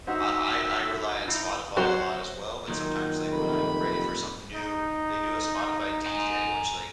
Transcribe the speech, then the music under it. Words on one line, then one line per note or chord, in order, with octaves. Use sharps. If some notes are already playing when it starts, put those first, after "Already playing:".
I I I rely on Spotify a lot as well, but sometimes, like, when I'm ready for something new, they do a Spotify DJ, which, like,
D#4 F#4 C5 E5
D#4 E4
F#3 F#4 C5
A#2 D#3 F#3 D#4
F1 B5
D#4
G#5 A#5